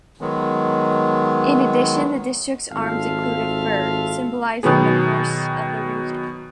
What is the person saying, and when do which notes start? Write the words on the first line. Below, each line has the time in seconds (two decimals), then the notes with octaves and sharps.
In addition the district's arms include a fir, symbolising the forests of the region.
0.21 D#3 F#3 G#3 B3
2.70 G#1 C4 F4 A4 E5 F5
4.63 B2 D#3 F#3 B3 G#4